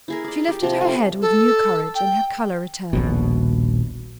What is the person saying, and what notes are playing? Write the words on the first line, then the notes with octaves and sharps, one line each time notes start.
She lifted her head with new courage and her colour returned.
E4 G#4 A#4
G#4 D5
G4
C3 F3
A3 F4
A4
G5
D#1 A#1 B2